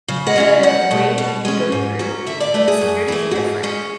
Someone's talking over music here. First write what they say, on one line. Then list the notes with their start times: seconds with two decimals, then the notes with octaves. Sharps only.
the way you go through the security is different,
0.08 C#3
0.27 F#5
0.36 G#3 C#4 E4
0.63 E2 F#5
0.91 B2 A3
1.18 B2
1.45 G#3 C#4
1.72 G#2
1.99 F#3 C#4
2.27 D3 E5
2.40 D5
2.54 A3 E4 B4
2.68 G#4
2.81 F#2
3.08 E3 A3
3.31 F#4
3.35 G#2 G#4
3.63 G#3 C#4